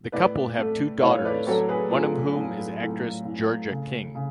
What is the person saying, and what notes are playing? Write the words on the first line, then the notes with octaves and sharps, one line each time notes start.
The couple have two daughters, one of whom is actress Georgia King.
A2 B4 D5
A3
A2 C#5 F5
B4 D5
F#3 A4 C#5
G#4 B4
A3 F4 G#4
A2
A2
A2
C#3
C#3